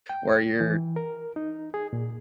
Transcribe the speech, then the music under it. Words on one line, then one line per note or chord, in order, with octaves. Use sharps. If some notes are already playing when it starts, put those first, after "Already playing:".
where you're
G5
E3
A#4
D#4
G#4
A#2